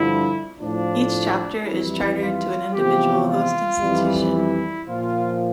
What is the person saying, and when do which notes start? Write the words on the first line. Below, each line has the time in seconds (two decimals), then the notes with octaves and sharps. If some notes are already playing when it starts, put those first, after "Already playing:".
Each chapter is chartered to an individual host institution.
Already playing: G2 D3 F3 E4
0.60 A2 F3 D4
1.67 F2 E3 G3 E4
2.21 F4
2.74 E2 C3 F3 G4
3.27 F4
3.81 F2 E3 G3
4.34 E4
4.87 A#2 F3 F4